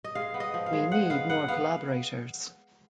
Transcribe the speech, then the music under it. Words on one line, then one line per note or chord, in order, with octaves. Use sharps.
We need more collaborators.
D#5
G#3 F5
B3
D#5
F3
F5
G#3
F3 F#5
B3 F5
B3 F#5
B3 F5